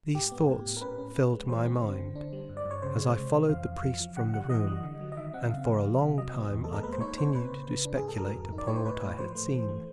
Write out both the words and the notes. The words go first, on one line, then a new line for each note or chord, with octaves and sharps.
These thoughts filled my mind, as I followed the priest from the room; and for a long time I continued to speculate upon what I had seen.
G#2 G4
B3
A2
A2
A#4
C#4 B4
C#4
C#4
G#3
E3 C5
C4
D3
D3
D4
G3
G2
D5
G2
C#5
C#3 C5
G#3
C3
E3
F2 F5
F2
F3
F3
D3 F#5
G3 F#5
E3 D#5
G3
D3
F#3
D#5
D#3 E5
C4 F#5
C#3 F5
F3
G3
C3
F#3 D#5
B3
E2
A4
G#3 A#4
A#3 B4
C5
D#4 C#5
C4 C5
A#2 B4
C#3
C#3
D4
G#2 G#4
A4
F#3 A#4
F2
D#4
D5
D#4 C#5
C5
A2 B4
A2
F3 C5
A3
E3
A3